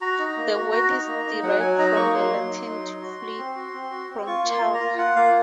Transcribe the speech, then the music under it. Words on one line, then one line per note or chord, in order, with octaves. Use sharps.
The word is derived from the Latin 'to flee from chalk'.
F#4 A#5
D#4
A#3
F#4
F#4 A#5
D#4
A#3
D#4
F#3 F#5
F#3 G#5
D#4 A#5
A#3 C#6
F#3 C6
F#3
D#4
F#3
D#4
F#4
F#4
C4
F#4
C4
F#4
C4
F4 C#6
A#3
C6
A#3
A#5
F4
F4 F#5
A#3 F5